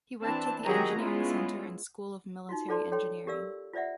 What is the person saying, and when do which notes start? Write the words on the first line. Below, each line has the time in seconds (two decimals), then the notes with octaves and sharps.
He worked at the Engineering Center and School of Military Engineering.
0.22 E3 C4 D4 A5
0.66 D#3 F#3 G4 G#4 D#5 A#5
0.98 G#3 B3 C#4 E4 F4
2.49 D#4 F4 F#4
2.68 F4 A4 C5 D5 A5 C6
2.92 A4 C#5 G5 C6
3.27 G4 A#4 D5 F5 E6
3.73 F4 C5 D5 E5 F#5